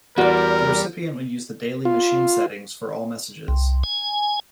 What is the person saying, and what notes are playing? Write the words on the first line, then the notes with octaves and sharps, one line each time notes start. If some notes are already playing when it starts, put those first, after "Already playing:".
The recipient would use the daily machine settings for all messages.
E2 G3 F#4 A#4 D5
F4
C2
G#5